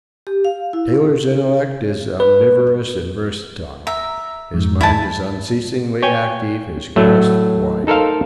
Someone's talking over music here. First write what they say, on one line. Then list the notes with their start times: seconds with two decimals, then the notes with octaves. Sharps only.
Taylor's intellect is omnivorous and versatile--his mind is unceasingly active, his grasp wide.
0.27 G4
0.45 F5
0.73 E4
2.20 B4
3.87 E5 A#5
4.54 F2 G#2
4.81 D#2 E4 A5
6.02 C#5 G5 G#5
6.96 A2 F#3 A3
7.87 D#4 A4 A#4 C5 F5